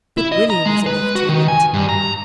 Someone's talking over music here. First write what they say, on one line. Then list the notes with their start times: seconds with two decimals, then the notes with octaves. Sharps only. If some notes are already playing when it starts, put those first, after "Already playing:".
But William was a lieutenant.
0.18 E4
0.32 D#5
0.50 A#5
0.66 G#3
0.86 B4
1.15 F#4
1.29 D#3
1.48 G#5
1.74 G2
1.89 A#5